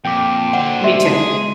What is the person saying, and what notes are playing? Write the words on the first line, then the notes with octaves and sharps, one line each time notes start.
Me too.
F2 A#2 G5 D6
D3 C5 F#5
E5 C6
G#3 D#4 G#4